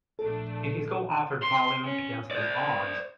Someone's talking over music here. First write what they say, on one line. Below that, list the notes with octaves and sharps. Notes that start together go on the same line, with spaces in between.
In his co-authored volume, Against the Odds?
A#1 A3 D4 A4
C6
C#4
C5 D5